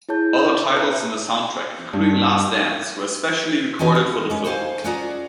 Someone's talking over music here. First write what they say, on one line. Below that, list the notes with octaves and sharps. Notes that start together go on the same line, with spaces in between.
Other titles on the soundtrack, including "Last Dance", were especially recorded for the film.
E4 G#4 C#5 A5 G6
B4 E5 A5 A#5 F#6
G2
E3 C#4 D#4 F#4 G#5
F#5
G#3 C#4
D#4 A4 C5 F5 G#5 A5
C#4 F4 F#4 G#4 D5 A#5